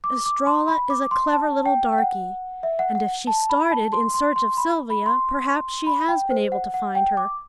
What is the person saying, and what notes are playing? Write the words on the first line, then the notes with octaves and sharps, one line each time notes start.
Estralla is a clever little darky, and if she started in search of Sylvia perhaps she has been able to find her.
D6
D6
C6
B5
D6
C6
A5
G5
G5
F#5
E5
F#5
F#5
A5
B5
A5
C6
C6
C6
B5
B5
C6
B5
G5
C5
F#5
F#5
G5
D6